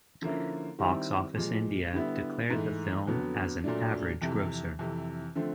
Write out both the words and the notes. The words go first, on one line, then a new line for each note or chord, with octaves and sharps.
Box Office India declared the film as an average grosser.
D3 F3 A#3 C#4 E4
D#3 G3 C4 E4
A#2 F3 G#3
D3 G3 B3 E4
G#2 E3 A3
F2 D3 F#3 B3
A#2 F#3 A3 D4
F2 C3 E3
F2 C3 E3
D3 F3 A3 C4